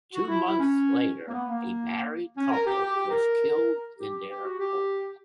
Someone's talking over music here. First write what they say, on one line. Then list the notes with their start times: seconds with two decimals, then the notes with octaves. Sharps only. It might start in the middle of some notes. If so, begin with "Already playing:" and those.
Two months later, a married couple was killed in their home.
0.14 F#4
0.28 E4
0.44 E4
0.59 C#4
1.28 A#3
1.33 B3
1.48 A#3
2.37 C#4
2.51 A#4
2.66 G4
2.81 G4
2.96 G4
3.11 A#4
3.99 G4
4.30 G4
4.45 F#4
4.59 G4